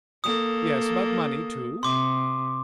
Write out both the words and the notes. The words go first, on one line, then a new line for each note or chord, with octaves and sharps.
"Yes, about money, too."
A#3 A4 D#6
C3 C6 D6